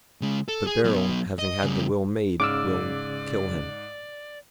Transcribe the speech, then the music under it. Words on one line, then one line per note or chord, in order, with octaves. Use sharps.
But Beryl, having had the will made, will--kill him.
C#3 G#3
A4
G#4
F#3 B3
D#5
C#3 G3
G#2 C#3 D5 D6 E6 F6 D7